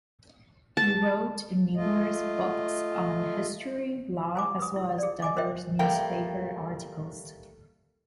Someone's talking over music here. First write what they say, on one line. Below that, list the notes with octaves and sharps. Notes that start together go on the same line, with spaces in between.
He wrote numerous books, on history, law, as well as diverse newspaper articles.
A5
A3 F4 D#5
C5 G#5 D6
B4 D#6
E4
G#4 D5
D#5 G#5 D6
A#4 C5 C#5 D#5 E5 G5
G3 A3 A#3 G5